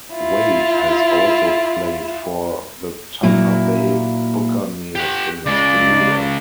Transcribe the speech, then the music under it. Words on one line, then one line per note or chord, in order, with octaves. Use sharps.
Wade has also played for the Tampa Bay Buccaneers in his career.
E4 F4
A#2 F#3 A#3 E4
G4 F#5
C#3 G#3 D5